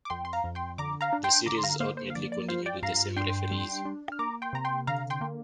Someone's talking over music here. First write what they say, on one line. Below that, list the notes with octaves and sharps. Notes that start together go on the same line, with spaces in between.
The series ultimately continued with the same referees.
D6
F2 G5 C6
C6
F5 A#5
F2
G5 C6
D3 A#5 D6
F5 A#5
D4
G5 C6
D3 A#5 D6
C6
F5 A#5
A#3 C5 F5
C5
F5
F3 D5
D5
F4 C5 F5
D5 G5
G2 F5 A#5
D4 G5 C6
G3
D4
F6
A#3 A#5 D6
G5 C6
C3 A#5
G5 C6
D3 F5 A#5
G5 C6
A#3